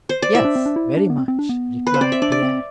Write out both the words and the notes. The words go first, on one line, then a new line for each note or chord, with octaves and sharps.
"Yes, very much," replied Pierre.
C5
D5
E4 E5
D4
C4
D4
E4
D4
B3
C4
C4
D4
B3
B4
C5
C4 D5
E5
D4 D5
D5
C4